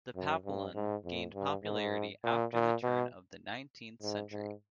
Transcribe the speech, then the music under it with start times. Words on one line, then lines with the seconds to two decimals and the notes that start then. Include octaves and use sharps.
The Papillon gained popularity after the turn of the nineteenth century.
0.15 F#2
0.45 G2
0.75 G#2
1.05 F2
1.34 G2
1.64 G#2
2.24 A#2
2.53 A#2
2.83 B2
4.02 G#2
4.31 G#2